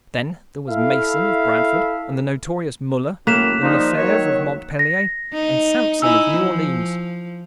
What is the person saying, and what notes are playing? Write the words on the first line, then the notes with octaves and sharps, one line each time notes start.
Then there was Mason of Bradford, and the notorious Muller, and Lefevre of Montpellier, and Samson of New Orleans.
E4 A4 E5 F5
F#2 A2 C#3 A#3 F#6 B6 E7
A#2 F3 G3 D#4
D#3 F#3 C#5
A#6
D#4
D#4 E4 G#5 E6
F3